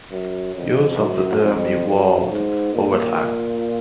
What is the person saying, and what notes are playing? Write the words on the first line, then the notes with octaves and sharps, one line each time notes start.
Use of the term evolved over time.
F#2
F2
F#2
F2
F#2
G#2
A#2